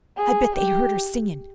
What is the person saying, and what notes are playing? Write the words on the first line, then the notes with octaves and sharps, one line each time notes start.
I bet they heard her singin'!
G#4
G4